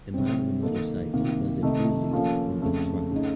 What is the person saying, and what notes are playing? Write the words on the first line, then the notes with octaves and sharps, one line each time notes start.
A man on a motorcycle does a wheelie on the track.
C3 F#3 C4
D#3 A#3 D#4 A4
C3 D#3 A#3
C3 D#3 A3 D#4
F3 A#3 C#4 F4 A4
F2 C#3 A3
C#3 A3 D#4